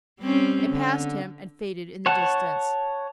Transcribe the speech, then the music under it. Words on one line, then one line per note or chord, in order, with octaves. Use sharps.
It passed him and faded in the distance.
G3 C4 C#4
D3
C#5 F#5 A5